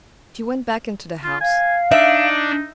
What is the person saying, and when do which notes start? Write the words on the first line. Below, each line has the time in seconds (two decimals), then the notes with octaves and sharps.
She went back into the house.
1.24 F4
1.41 F5 G#5
1.92 D4 D#4 E5